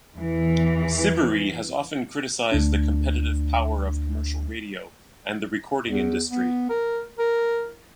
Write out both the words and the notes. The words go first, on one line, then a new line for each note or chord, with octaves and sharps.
Siberry has often criticized the competitive power of commercial radio and the recording industry.
E2 E3
D2 D4
E2
B3
A#4
A#4